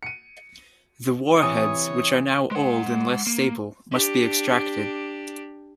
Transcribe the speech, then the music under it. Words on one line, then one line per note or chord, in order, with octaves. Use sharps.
The warheads, which are now old and less stable, must be extracted.
C#7 D#7
C3 E3 C#5 D#6
G#3 F#5
A#3
D4 G4